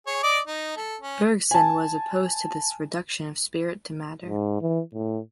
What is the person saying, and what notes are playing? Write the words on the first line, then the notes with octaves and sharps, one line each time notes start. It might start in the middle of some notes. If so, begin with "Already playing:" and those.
Bergson was opposed to this reduction of spirit to matter.
G#4 C#5
D5 D#5 D6
D#4
A4
C#4
G#5 A5
G#2
E3
A2